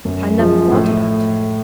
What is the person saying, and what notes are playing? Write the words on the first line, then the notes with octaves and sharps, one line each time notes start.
'I never thought about her.
F#2
F3 G#3
A2